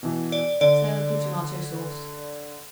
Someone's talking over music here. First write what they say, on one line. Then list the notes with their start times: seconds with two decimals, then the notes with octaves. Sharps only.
Serve with tomato-sauce.
0.03 B2 E3
0.32 D5
0.61 D3 D5